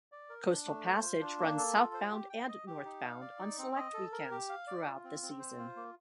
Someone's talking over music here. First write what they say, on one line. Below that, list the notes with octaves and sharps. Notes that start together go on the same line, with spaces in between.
Coastal Passage runs southbound and northbound on select weekends throughout the season.
D5
A#4
D4
A3
C5
F4
D4
A#3
A4
F4
C5
G4
G5
D#5
G4
D#4
F5
D5
D#4
C4
D#5
A4
A#4
G4
F5
D5
F4
C4
C4
C5
F4
A#3